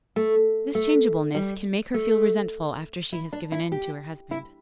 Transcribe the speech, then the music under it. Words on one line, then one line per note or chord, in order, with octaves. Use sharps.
This changeableness can make her feel resentful after she has given in to her husband.
A3
A3
G3
A3
E4
D4
E4
G4
E4